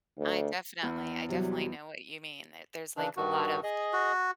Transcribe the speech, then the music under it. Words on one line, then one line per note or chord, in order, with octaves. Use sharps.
I definitely, I definitely know what you mean. That there's like a lot of
D2
E2
C3 F#3 G3
C#3 E3 D4
G2 D#3 F#4
G#4 D#5
F#4